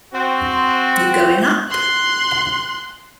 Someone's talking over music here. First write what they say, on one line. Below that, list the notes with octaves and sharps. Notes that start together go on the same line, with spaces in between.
You going up?
C4 F#4
C6 F#6